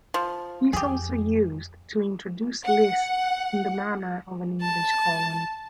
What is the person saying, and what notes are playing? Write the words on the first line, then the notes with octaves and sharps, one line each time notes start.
It is also used to introduce lists in the manner of an English colon.
F3
F2 G4 G#4
F#5
A5